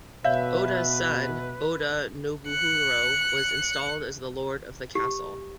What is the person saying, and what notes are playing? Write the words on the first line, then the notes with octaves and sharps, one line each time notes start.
Oda's son, Oda Nobuhiro, was installed as the lord of the castle.
B2 B4 C#5 E5 F5
F#6 C#7
G4